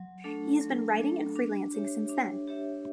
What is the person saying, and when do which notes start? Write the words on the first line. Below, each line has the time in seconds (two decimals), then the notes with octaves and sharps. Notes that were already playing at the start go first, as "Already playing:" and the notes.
He has been writing and freelancing since then.
Already playing: F#3
0.24 A3 D4 A4
0.61 F#3
0.98 A3 D4 A4
1.36 D4
1.73 G4 C#5 E5
2.09 D4
2.48 G4 C#5 E5